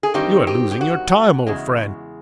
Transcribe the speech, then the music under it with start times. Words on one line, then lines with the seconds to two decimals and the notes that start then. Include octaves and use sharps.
You are losing your time, old friend.
0.03 G#4
0.14 G2 D#3 G3 C4 D#4 G4
0.47 G4
0.71 G4
0.81 F#4
1.47 E2 C#3 G#3